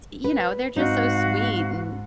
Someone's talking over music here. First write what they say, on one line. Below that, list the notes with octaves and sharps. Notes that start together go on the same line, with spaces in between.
t you know, they're just so sweet, and,
B4
G#2 C4 D#4 F#4 F5